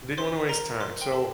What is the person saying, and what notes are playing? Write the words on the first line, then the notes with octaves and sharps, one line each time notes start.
Didn't want to waste time. So
C5 C6
A#4 A#5
C5 C6
G5
A4 A5